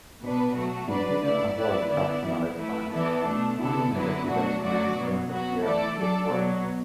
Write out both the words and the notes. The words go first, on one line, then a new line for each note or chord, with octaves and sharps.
He didn't avoid fractional exponents; only negative exponents don't appear in his work.
B2 B3 D4 B4
B2 F#3 A3 F#4
F#3 D4 B4 D5
A3 E4 D5
A3 E4 B4 D5
D3 B3 E4 D5
E3 B3 E4
A3 E4 B4
E3 B3 E4 A4 D5
B2 A3 D4
D3 B3 E4 A4
D3 F#3 B3 E4 B4
B2 F#3 A3 D4 F#4
D3 F#3 A3 F#4 D5
B2 F#3 B3
F#3 B3 F#4
E3 A3 E4 A4 D5
F#3 D4 A4 D5
B2 F#3 B3